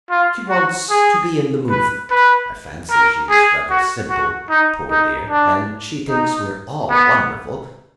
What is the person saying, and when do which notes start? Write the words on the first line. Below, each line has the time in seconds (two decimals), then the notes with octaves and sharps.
She wants to be in the movement. I fancy she's rather simple, poor dear, and she thinks we're all wonderful.
0.10 F4
0.50 F#4
0.90 G#4
1.70 B4
2.11 B4
2.91 A#4
3.30 G#4
3.70 F#4
4.10 F#4
4.50 D#4
4.91 D#4
5.30 D4
6.10 D#4
6.90 B3